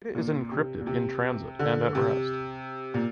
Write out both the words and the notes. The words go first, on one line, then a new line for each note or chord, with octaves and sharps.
Data is encrypted in transit and at rest.
A#2
C3
A#2
C3
D3
C3
A#2